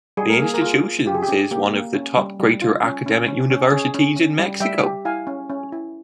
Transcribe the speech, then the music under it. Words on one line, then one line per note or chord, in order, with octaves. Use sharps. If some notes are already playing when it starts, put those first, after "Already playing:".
The institution is one of the top greater academic universities in Mexico.
G3 G#4
A#4
A#3 G#4
A#4
F4 G#4
F4
F4 G4
G#4
G4
C#4
A#3 G4
A#3
C#4
G3
G3
F4
C#4
C#4
C#4
C#4
C#4 G#4
C#4
C#4
G3
G3 E5 G5
G4
E4 F5 G#5
C#4
C#4
E4